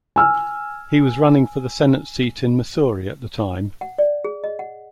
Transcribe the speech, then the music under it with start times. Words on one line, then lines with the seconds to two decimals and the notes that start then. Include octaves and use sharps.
He was running for the senate seat in Missouri at the time.
0.16 G#5 E6 F6
3.81 F#5
3.98 D5
4.24 G#4
4.44 D#5
4.59 F#5